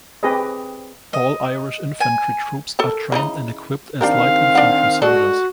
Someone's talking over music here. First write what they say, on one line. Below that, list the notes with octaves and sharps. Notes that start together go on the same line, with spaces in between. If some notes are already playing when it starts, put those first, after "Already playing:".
All Irish infantry troops are trained and equipped as light infantry soldiers.
C4 G4 G#4 B4 D#5
D#5
G#5
A4 A#4 A5
C#3 E3 D#4
D#3 C4 D4 G4 A#4 F5
D4 F#5
G#3 D4 F#4 A4